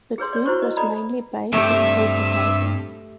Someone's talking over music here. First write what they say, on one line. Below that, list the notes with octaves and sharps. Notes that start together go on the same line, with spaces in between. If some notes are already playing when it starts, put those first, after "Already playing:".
The group was mainly based in Copenhagen.
G#4 B4 C#5 C6
C#5 D5
E4 F#4 B4 C5 C#6
B4 D#5
A4 D5 D#5 A#5 B5
G2 C3 A3 G4 E5